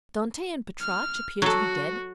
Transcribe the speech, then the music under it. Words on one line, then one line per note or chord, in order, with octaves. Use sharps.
Dante and Petrarch appear to be dead.
F6
F#3 F#4 A4